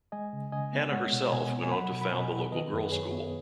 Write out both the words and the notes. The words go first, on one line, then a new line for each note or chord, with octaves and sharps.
Hannah herself went on to found the local girls' school.
G#3 D#5 G#5
C#3
C#3 D#5 G#5
B3
G#3 C#5 F#5
B2
B2 D#5 G#5
B3
G#5
F#3 F#5 B5
B2
B5
B2 D#5 G#5
B3
D#3 B4 D#5
F#2 G#4
B4
F#2 G#4 C#5
B3